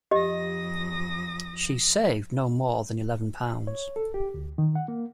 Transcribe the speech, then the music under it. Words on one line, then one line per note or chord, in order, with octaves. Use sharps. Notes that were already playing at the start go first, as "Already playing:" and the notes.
She’s saved no more than eleven pounds.
F2 G4 D#5 D#6 A#6
C#5
A4
G4
D2
D#3
F#5
A#3